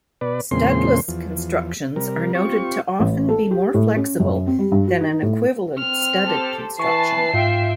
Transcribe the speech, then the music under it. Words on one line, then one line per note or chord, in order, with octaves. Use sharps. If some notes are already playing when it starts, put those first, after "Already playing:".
Studdless constructions are noted to often be more flexible than an equivalent studded construction.
B2 B4 D5
E2 A#2 C#3 G#3 C4 C6
E2 F3
C3 G3 A#4
C4 F4 G4 C#6
A1
A4
G4
A2
C#4
F#2
C4
G3
G2
F#4
D#4
A2
C4 F6
G4 A4 C5
E3 B4 A5 C#6 C7
G#2 F4 E5 G5